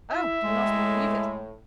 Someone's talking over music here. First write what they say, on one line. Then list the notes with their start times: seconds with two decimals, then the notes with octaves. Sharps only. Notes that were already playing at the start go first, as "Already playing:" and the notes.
Oh! do not believe it!
0.11 E4 E5
0.44 A2 G#3